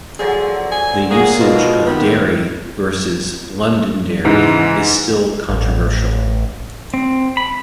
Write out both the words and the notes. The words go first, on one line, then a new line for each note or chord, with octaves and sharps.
The usage of "Derry" versus "Londonderry" is still controversial.
D3 F3 F#3 G#4
G#5
A#3 F#4 G#4
G#2 B2 F4
C3 D#3 B3
G#2 C#3 E3
A1
C4
B5